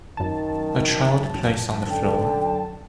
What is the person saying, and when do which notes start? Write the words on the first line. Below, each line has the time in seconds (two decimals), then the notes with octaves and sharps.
A child plays on the floor.
0.17 F#2 D#3 A5
1.90 D3 G5